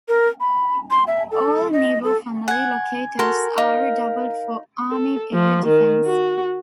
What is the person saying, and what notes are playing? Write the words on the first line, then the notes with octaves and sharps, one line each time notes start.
All Nebo-family locators are doubled for army air defence.
A#4
B5
C6
E5
A4
D#5
A4
F#5 G#5 G#6
F#4 A4 A#4 C6
D#4 F5
A4
F3
D#3
F#4